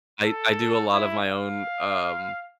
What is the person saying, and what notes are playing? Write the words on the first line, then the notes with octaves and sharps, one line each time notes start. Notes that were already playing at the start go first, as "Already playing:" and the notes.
I I do a lot of my own, um,
A4
E4
F5